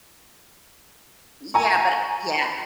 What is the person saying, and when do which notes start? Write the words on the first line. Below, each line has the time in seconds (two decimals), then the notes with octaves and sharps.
yeah but yeah.
1.54 G#5 A#5 C#6